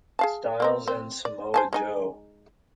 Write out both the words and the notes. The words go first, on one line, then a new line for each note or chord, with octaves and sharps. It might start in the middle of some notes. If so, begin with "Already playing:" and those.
Styles and Samoa Joe.
G#4 F5 A5
A#3 C4 A#4
C4
D5
C5 G#5 A5
G#3 D#4 G#5